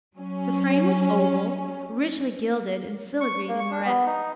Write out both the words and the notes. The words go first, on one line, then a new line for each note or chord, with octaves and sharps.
The frame was oval, richly gilded and filigreed in Moresque.
F#3 C#4
C#6
A#3
C#6
D4
B3
D#4